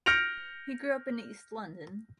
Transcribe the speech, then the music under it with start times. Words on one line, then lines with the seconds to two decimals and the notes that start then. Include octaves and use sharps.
He grew up in East London.
0.06 F6 G6 A#6 C#7 D7 F7